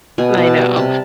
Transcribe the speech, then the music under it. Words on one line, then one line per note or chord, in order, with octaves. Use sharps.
I know.
B2 G#5
B2
A5
G3
C3 A5